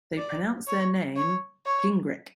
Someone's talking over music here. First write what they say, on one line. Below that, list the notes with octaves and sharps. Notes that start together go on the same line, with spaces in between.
They pronounce their name "Gingrick".
D5
C#5
C#5
C#5